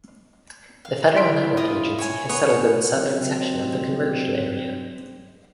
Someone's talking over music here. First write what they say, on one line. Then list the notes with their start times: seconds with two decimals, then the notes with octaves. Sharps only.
The Federal Network Agency has settled in the southern section of the conversion area.
0.85 F5
1.16 E4 C6 B6 D7
1.57 F4 D#5 D#6
1.99 C#5 G#5
2.29 B3 C#5 G#5
2.95 C3 F#3 G#3 A#3 C4